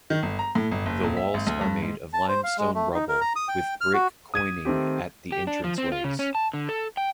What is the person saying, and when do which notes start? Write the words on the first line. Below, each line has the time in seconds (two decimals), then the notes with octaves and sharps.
The walls are made of limestone rubble with brick quoining at the entrance ways.
0.10 D#3
0.23 G1
0.39 A#5
0.55 A2
0.71 G1
0.86 F#1
1.03 D#1
1.17 E5
1.34 G#1
1.47 D2
1.61 G2
1.82 G#2
2.13 A5
2.28 C5
2.44 F5
2.58 G#3
2.75 A3
2.94 D#4
3.09 A#4
3.21 A#5
3.36 D#6
3.48 G5
3.81 F6
3.93 F#4
4.34 D#6 G#6 D#7
4.65 D#3 A3 C4 G4
5.32 G4
5.47 D4
5.64 F3
5.78 C4
5.92 F4
6.04 C#3
6.19 C#4
6.35 A5
6.54 D3
6.69 A4
6.97 G5